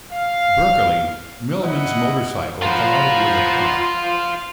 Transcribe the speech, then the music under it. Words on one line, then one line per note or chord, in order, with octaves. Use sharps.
Berkeley, Millman's motorcycle collided with a car.
F5
E4 D#5 F#5
F4 C5 F#5 A#5 B5